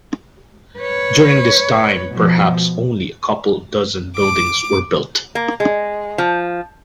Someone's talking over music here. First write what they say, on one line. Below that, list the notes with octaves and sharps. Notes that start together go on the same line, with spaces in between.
During this time perhaps only a couple dozen buildings were built.
B4 C#5
B2 F3
D6
A#3
G#3
F3